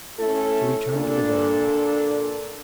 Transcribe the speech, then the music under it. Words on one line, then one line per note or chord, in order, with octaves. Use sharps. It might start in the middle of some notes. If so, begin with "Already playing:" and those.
To return to the dairying.
A3 C#4 E4 A4
A#2 D4 A4